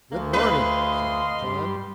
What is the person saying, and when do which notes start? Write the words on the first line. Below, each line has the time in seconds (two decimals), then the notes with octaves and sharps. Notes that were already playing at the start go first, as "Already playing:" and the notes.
"Good morning," said Uncle John.
0.12 D2 A#3
0.33 B4 D#5 F5 C6
1.41 G2